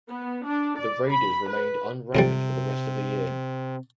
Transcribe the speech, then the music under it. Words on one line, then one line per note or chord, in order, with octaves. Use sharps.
The Raiders remained unranked for the rest of the year.
B3
D4
D5
B5
B4
F2 G#2 C3 G3